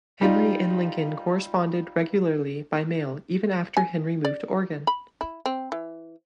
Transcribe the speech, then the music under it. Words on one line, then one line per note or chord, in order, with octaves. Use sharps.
Henry and Lincoln corresponded regularly by mail even after Henry moved to Oregon.
G3 D#4 F4
G#5
D5
B5
E4
C4
E3